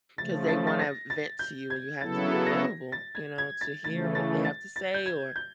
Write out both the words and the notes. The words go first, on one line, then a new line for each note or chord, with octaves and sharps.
'Cause they wanna vent to you and you have to be available, you know, to hear what they have to say or
C#3 F3 A3 A6
A6
A6
A#6
A6
G6
G#6
C#3 F#3 B3 E4 A4 A6
A#6
A6
G#6
G#6
A6
C#3 E3 A3 A6
A6
A6
A6
G6
G#6
G6